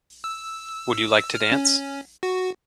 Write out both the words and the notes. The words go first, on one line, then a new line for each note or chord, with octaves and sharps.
Would you like to dance?
E6
F6
C#4
F#4